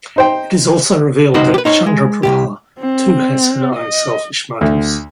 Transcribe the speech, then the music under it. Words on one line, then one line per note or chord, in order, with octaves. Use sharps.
It is also revealed that Chandraprabha too has her own selfish motives.
D#4 C5 G5
C#2 C3 D#4 F#4 B4 C5
G4 B4
D#4 C5 C#5
G#3
C2 G2 G4
C4
D#5
D2